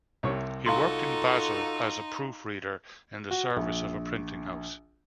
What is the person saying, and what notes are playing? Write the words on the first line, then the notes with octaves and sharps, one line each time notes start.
He worked in Basel as a proof-reader in the service of a printing house.
C2 C3 C#5
D#4 F4 F#4 A4 F5 A#5 C6
F#4
A#1